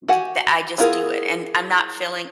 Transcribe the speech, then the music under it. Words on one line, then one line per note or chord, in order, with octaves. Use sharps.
th the I just do it and I'm not feeling
F#4 G4 F#5 G#5
B3 E4 F4 G#4 A#4